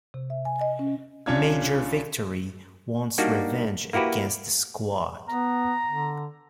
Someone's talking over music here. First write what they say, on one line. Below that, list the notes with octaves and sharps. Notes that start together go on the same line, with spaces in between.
Major Victory wants revenge against the Squad.
C3
E5
G#5
D#5
C#4
C2 C#4 D4 F4 D5 G#6
G3 A#3 D4 D#4 F#4
A#3 E4 F#4 G4 B4
B3 A#5
D3